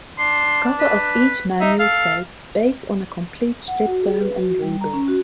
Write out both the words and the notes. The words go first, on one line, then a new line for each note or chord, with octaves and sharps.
The cover of each manual states: "based on a complete stripdown and rebuild".
D4 C6
B4
D#4 E5
A4 F5
F#5
F#4
G#4
B4
F#4
G3
A#5
C#4
F#4